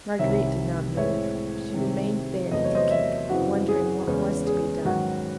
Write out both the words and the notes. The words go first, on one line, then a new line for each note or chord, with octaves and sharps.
Marguerite did not move, she remained there, thinking . . . wondering what was to be done.
C2 C3 D#3 C#5 E5
A2 E3 G#3 C4 C#5 E5
C3 D#3 G#3 C4
E2 C3 F#3 A3 D#5
C#5
C5 D#5
C#5 E5
F#2 C#3 E3 C4 F#4
G#4
E2 C#3 G#3 C#4
G#4
G#2 D#3 F#3 C#4 F#4